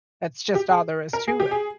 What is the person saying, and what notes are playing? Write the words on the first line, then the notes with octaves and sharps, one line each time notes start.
That's just all there is to it.
G4
G#4
A#4
G#4
G4
G#4